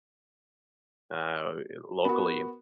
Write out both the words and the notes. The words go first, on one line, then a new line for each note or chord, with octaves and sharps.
uh, eh, locally.
B3 F#4 A#4 B5